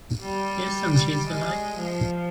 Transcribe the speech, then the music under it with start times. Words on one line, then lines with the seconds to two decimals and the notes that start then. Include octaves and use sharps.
Here's some cheese you like.
0.21 G3
1.26 G#3
1.78 F3